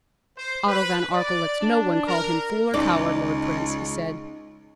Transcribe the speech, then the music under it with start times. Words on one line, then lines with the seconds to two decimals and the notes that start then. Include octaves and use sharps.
"Otto von Arkell lets no one call him fool or coward, lord prince," he said.
0.37 C5
0.67 B4
1.12 D5
1.59 D4
2.06 A#4
2.74 C#2 D#4 D5